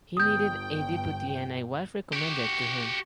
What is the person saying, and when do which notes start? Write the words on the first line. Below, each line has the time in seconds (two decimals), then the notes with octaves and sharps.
He needed a deputy and I was recommended to him.
0.17 G1 G5 D#6 G6
2.13 F#4 G4